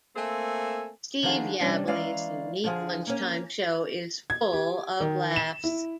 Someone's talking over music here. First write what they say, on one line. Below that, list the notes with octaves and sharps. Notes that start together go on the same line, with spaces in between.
Steve Yabsley's unique lunchtime show is full of laughs.
A3 A#3 C4 A4 G#5
D3 D#3 F3 B3 F#4 G#4
C3 G3 C#4 D4
E3 G#3 C#4 D5 F5 A#5
D3 F3 G#4
A#3 C#4
G#6
G4
D#3
E7
E4